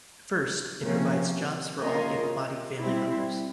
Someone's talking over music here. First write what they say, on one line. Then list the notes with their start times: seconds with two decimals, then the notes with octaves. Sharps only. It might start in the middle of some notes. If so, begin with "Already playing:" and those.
First, it provides jobs for all able-bodied family members.
0.81 C3 F3 A#3 C#4
1.80 A#3 C#4 F4 A#4 D#5
2.79 G3 C4 E4